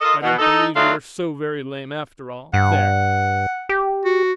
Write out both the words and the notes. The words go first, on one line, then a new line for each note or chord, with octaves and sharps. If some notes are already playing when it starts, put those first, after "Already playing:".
"I don't believe you were so very lame after all--there!"
F4 A4 A#4 D#5
B2
D#4 A4
F#3 A3 C4 D4 D#4 F4
G2 F#5
G4
F#4